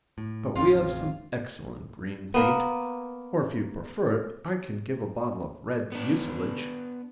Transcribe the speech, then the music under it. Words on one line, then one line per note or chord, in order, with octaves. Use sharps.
"But we have some excellent green paint, or, if you prefer it, I can give a bottle of red mucilage."
A2
A1 F2 C#3 F4
A#3 B3
B3 D4